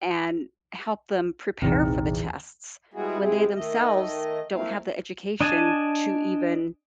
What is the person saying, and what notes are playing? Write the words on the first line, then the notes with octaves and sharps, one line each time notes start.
and help them prepare for the tests, when they themselves don't have the education to even
A#1 E2 C3 C4 D#4
G3 G#3 B3 E4 F#4 G#4
C3 G#3 C4 E4 G#4
D#3 A3 D#5
A3 A#3 C4 E4 F5
D4 D#5 G#5 A5